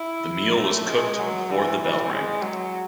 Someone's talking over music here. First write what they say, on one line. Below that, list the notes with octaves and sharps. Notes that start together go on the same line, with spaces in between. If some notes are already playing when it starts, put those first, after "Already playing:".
The meal was cooked before the bell rang.
Already playing: E4
A3
G#3
F#3
E3
E3
G#3
F#3